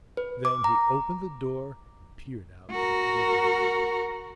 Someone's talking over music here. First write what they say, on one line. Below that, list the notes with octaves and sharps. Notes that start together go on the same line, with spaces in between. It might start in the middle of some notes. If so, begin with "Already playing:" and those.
Then he opened the door and peered out into the hall.
B4
D6
A#5
F#4 A#4